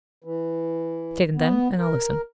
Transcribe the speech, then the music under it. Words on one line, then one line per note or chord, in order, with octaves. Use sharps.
"Say them, then, and I'll listen."
E3
B3
A#4